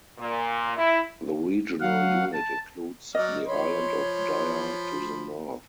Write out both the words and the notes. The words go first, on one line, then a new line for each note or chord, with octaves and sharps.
The regional unit includes the island of Dia to the north.
A#2
E4
F#3 F5 F#5
A5
F#3 D5 D#5 F6
F3 C#5 B5 C6